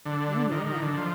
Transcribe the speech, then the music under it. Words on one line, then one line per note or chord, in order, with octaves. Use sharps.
Oh man.
D3
D#3
D#3
D3
F3